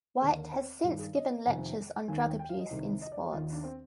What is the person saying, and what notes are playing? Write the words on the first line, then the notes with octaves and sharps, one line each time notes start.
White has since given lectures on drug abuse in sports.
D#2 D3 G#4
A#4
C4
G2 D#3 G4
G#4
D#5
F2 C3 D#3 G#5
D#2 D#3 G#5
G5
G5
F5
D#5
C2 C3 D#3
D#5
D5
C5
D#2 D#3 F4
D#4
D4
C4